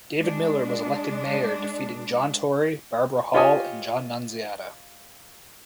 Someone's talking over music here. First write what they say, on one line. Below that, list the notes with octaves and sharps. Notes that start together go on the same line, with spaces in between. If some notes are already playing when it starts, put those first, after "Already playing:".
David Miller was elected mayor defeating John Tory, Barbara Hall and John Nunziata.
G#3 D4
F4 G4 C#5 D#5 G#5 D#6